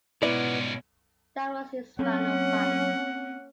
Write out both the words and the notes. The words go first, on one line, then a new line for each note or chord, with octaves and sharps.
That was his final fight.
G#2 B2 B3 C#4 E4 D5
F#3 A#3 C4 C#4 F#5